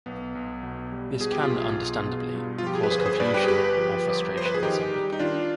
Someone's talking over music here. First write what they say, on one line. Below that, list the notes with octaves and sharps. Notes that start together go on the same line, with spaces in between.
This can, understandably, cause confusion or frustration in some people.
B1 B3
B1
B2
G3
B2 G#4
G4
F4 G#4
B1
B2
B2
G2
F4
F3 G4
G#4
B4
G1 G#4 C5
B4
G#4 C5
G2 B4 D5
G4 B4
G#4
G1 G4 B4
F3
G1
F3 C5
B4
G#4
D#3 D#4 G4
G3
D#4
D#3 D4 F4